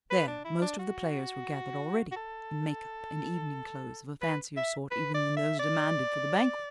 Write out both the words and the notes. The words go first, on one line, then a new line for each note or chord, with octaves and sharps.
There most of the players were gathered already--in make-up and evening clothes of a fancier sort even than those demanded for the banquet.
B4
D4
E4
D4
F#4
F#4
A4
B4
E5
B4
D5
E5
D5